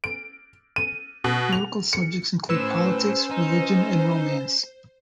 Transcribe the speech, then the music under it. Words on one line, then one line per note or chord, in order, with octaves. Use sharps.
Lyrical subjects include politics, religion, and romance.
D7
D#7
B2
F7
C#7
A2 C#4 B4 C5 E6 E7
D#4